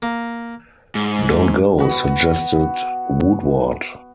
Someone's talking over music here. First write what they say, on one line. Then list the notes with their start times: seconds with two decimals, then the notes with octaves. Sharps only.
"Don't go," suggested Woodward.
0.02 A#3
0.95 G#2
1.78 B3 F#4 B5